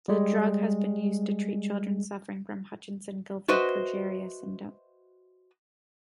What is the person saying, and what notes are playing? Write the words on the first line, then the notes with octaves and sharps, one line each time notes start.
The drug has been used to treat children suffering from Hutchinson-Gilford progeria syndrome.
G3 G#3
F#4 B4 C5 D#5 E5